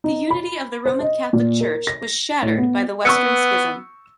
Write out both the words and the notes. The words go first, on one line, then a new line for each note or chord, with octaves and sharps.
The unity of the Roman Catholic Church was shattered by the Western Schism.
D#4
B5
C5
D#5
A#2
A#4
A#6
A2
B3
B3 C#6 E6 C#7